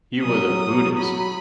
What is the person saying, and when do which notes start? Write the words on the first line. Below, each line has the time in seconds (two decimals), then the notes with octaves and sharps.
He was a Buddhist.
0.21 F#3 D#6
0.97 B5